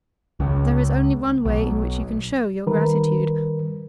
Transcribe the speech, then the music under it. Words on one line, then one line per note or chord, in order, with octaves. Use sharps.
There is only one way in which you can show your gratitude.
C#2
B1
D#3 G3 A#4 B4